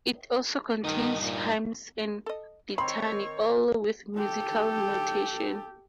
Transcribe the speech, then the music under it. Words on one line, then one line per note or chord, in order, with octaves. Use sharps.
It also contains hymns and a litany, all with musical notation.
G2 D#3 D#4
A#2
A4 D#5
D#3 C4 C#5 B5 C6
G4 A4